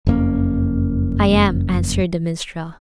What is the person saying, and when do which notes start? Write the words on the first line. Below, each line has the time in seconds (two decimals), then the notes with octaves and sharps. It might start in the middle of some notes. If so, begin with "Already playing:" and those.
"I am," answered the minstrel.
0.07 F#1 F2 A#3 C#4